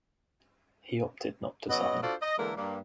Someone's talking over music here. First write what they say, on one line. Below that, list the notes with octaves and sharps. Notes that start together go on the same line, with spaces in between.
He opted not to sign.
C#3 F#3 B3 D#5
D4 F4 F#4 A4 C5 D5
D#5
D3 E3 G#3 A#3 A4 A#4
G2 A#3